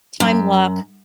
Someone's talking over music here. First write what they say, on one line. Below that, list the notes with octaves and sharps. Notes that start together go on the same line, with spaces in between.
time block,
F#2